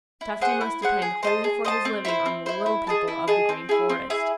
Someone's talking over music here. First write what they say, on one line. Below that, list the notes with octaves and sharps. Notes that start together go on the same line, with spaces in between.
Tufty must depend wholly for his living on the little people of the Green Forest.
E4
G#4 C5 F#5
E4
G#4 C5 F#5
G#4
C5 D#5 A5
G#4
C5 D#5 A5
C4
E4 C5
C4
E4 C5
E4
G#4 D#5 A5
E4
G#4 D#5 A5
C4
E4 G#4
C4
E4 G#4